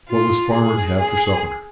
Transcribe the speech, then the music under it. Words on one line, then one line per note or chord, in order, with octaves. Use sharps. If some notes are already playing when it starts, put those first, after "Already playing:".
What was farmer to have for supper?'
F4
G#4
G#4